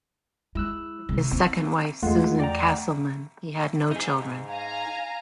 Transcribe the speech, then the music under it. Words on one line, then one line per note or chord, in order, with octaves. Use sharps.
With his second wife, Susan Casselman, he had no children.
G#3 E4 E6 F#6
C3 G#3
C4
E2 G#3 A3 F4 F#5
D5 G5 A#5
D#4 G#4
F5 G#5 A#5